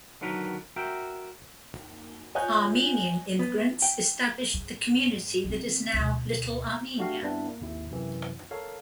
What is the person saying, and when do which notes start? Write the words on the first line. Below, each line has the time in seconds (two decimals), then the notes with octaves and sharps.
Armenian immigrants established the community that is now Little Armenia.
0.21 D3 D#3 F#3 A#4 B4
0.76 F#4 A#4 E5 G5
2.35 C#5 D#5 G#5 D#6 F#6 G6
3.39 B3
3.82 G5
4.54 G#2
5.45 D3 C4
5.94 D2 B2
6.98 A3 D4 F#4 G4 F5
7.22 G2 G3 B3 C4 D4 E4
7.47 A#3
7.61 G#1 D#2 E4
7.91 F#2 C3 E3
8.51 A4 A#4 C#5 F5